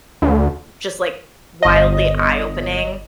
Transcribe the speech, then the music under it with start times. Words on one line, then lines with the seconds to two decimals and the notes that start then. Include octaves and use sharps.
just, like, wildly eye-opening,
0.22 D2
1.63 G1 D#5